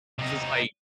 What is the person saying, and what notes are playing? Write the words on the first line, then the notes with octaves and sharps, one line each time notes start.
'cause it's like
C3 D#4